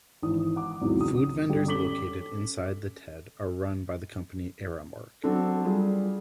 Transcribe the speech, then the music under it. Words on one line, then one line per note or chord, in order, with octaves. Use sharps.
Food vendors located inside the Ted are run by the company Aramark.
G#1 E3 D#6
F#5 D6
E2 G#2 C3 F#3
C#2 D#6
G1 D3 G4
C#4 A4 D6 B6 F#7 G7
F#3 C4 D4 A4
G3 F4 G#4